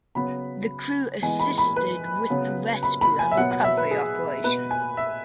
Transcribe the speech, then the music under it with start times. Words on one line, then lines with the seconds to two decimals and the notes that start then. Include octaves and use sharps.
The crew assisted with the rescue and recovery operation.
0.15 C#3 F#3 B3 B5
1.22 E3 G#3 B3 G#5
1.40 B5
1.58 B5
1.76 B4
2.30 C#3 F#3 B3
2.83 B5
3.01 B5
3.19 G#5
3.31 E5
3.36 B2 F#3 B3 F#5
3.51 F#5
3.64 E5
3.77 B4
3.91 G#4
4.44 B2 B3 B4
4.71 G#5
4.97 E5